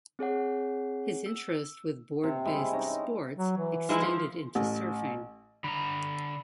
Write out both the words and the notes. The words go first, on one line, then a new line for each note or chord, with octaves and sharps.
His interest with board based sports extended into surfing.
C4 G#4 C#5 F#5
E6
C3
G3 G#3 E4
C#4 D#4 A#5
F#3
E3
F3 G#3 E4
F3
A1
D3 A#5 B5